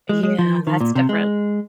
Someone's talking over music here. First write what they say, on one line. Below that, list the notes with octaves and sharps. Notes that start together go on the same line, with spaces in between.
Yeah, that's different.
G#3
G#3
F3
D#3
A#2
C3
G#3